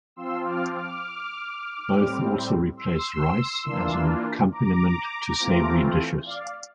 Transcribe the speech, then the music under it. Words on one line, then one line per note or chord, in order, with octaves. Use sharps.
Both also replace rice as an accompaniment to savory dishes.
F3 C4 F4 C6 E6
D6 F6
D6 F6
A2 G3 C4
C6 E6
E3 A#3 D4 F4
A#5 D6
E3 A3 C4 F4
D5 F5